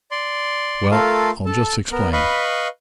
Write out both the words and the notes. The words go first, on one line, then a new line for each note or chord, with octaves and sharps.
Well, I'll just explain.
D5 C6
A3 F4 A4 A#4 F5
A4 A5
B3 A#4
B4 D#5 F5 B5 C#6